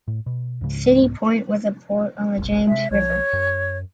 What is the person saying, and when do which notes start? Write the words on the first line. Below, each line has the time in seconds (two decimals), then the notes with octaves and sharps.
City Point was a port on the James River.
0.08 A2
0.26 B2
0.61 C#2 G#2 C#3 G#3
1.01 C2 G#2 B3
2.38 F#1 B1
2.67 C3 G#3 E5
2.91 B1 F3 C#5
3.33 F#2